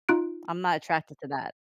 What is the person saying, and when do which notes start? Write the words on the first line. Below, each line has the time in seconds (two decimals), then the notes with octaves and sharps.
I'm not attracted to that.
0.09 D#4 F4 F#6 D7